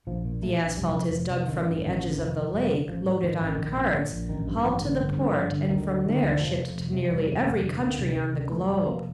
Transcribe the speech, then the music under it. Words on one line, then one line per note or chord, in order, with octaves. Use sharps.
The asphalt is dug from the edges of the lake, loaded on carts, hauled to the port and from there shipped to nearly every country on the globe.
A#1 F3
A#2
A#2 A3
A#1
F1 G3
F2
F1 F3
C3
A1 D#3
G2
A1 D#3
D3
F1 F3
F2
F1 G3
D3
A1 F3
A2
A2 D#3
A1
A#1 D#3
A#2
A#2 D3
A#1
A1 D#3
G2
A1 F3
D3
G1
G2
G1 F3
D3
D2 D#3
D3
D3 D#3
D2
D#3
F1 F3
F2
F1
C3
F1 G3
D#2
F1 A3
D3
D2 A#3
C3
C3
D2
F1 A3
F2
F1 A#3